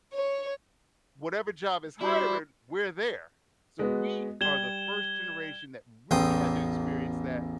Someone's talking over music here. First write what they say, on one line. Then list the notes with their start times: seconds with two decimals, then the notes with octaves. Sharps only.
whatever job is hiring, we're there. So we are the first generation that really had to experience that,
0.15 C#5
2.01 G3 E4 F#4 C5 D5
3.79 G#3 B3 F#4
4.41 G3 G#6 E7 G7
6.11 A1 E2 G5 C6 D#6